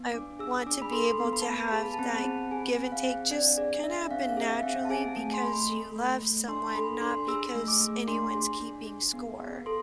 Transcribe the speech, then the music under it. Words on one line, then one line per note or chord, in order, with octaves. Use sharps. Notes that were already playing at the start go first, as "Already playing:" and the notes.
I want to be able to have that give and take just kinda happen naturally, because you love someone, not because anyone's keeping score.
Already playing: B3
D4 D6
G#4 E6
D4 D6
B5
A4 C6
B3
B5
A5
B3 B5
G#4 A5
B5
A5
C4
B5
C4
G#4 G#5
C4
F5
C4
D4 D5
G#4 D5
D4 E5
C4 F5
G#4 E5
F5
C4
A5
G#4 G#5
A3
C6
A3 B5
A4
A3
A3
D4 C6
A4 B5
D4 C6
G#4 E6
A3
D6
A3
D4 C6
G#4
D4
G#4
B3
B3
A4 C6